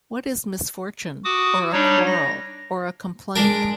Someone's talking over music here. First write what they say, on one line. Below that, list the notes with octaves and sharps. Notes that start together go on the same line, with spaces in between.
What is misfortune, or a quarrel, or a complaint?
F#4 D6 D#6
G3 D4 D#4 C#5
A#6
G#3 D4 A#4